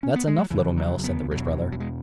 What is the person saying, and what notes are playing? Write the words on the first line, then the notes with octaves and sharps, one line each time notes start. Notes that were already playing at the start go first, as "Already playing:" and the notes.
"That's enough, Little Mill," said the Rich Brother.
C#4
B3
G#3
F#3
E2 C#3 E3
F#3
B3
E2 B2 F#3
F#3
G#3